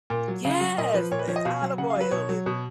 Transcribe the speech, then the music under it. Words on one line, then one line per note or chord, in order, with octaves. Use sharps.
Yes! And Olive Oyl and
A#2
F#3
C#3 F5
F#3
A#2 D#5
F3 B4
A#2 C#5
B4
F3 C#5
D#5
B2 F5
F#3
C#3 F#5
F5
F#3 B4
B2 C#5
F#3
B2